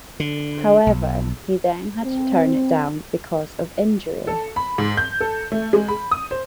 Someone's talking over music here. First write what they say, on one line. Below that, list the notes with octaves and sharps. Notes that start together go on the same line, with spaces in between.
However, he then had to turn it down because of injury.
D3
B1
C4
A4
B5
G#2
G6
A4
A3
G#3
B5
D#6
C5